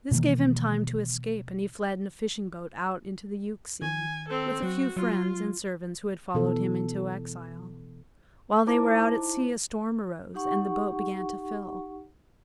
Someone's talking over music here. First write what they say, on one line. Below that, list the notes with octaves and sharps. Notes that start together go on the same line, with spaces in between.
This gave him time to escape, and he fled in a fishing boat out into the Euxine with a few friends and servants who had followed him into exile. While they were out at sea a storm arose, and the boat began to fill.
B2 D#3 E3 A#3
D#3 G#5
C4 A4
F#3 F#4
F#3 F4
B2 E3 A4
D#4 E4 C5 A5 A#5 D6
D#4 G4 F#5 C#6